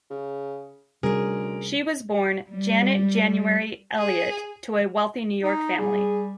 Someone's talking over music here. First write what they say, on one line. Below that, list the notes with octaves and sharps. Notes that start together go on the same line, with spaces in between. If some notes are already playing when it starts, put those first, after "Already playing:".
She was born Janet January Elliott to a wealthy New York family.
C#3
D2 C3 G3 C#4 G#4 A#4
G3
G#4
D#4
G3 G#4